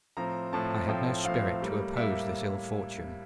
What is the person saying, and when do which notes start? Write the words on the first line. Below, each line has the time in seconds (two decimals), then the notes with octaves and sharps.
I had no spirit to oppose this ill fortune.
0.17 A2 F3 C4 A#5
0.53 A2 F3 C4 A5
0.70 A5
0.88 A2 F3 C4 G5
1.25 A2 F3 C4 F5
1.61 A2 G3 A#3
1.96 A2 G3 A#3 E5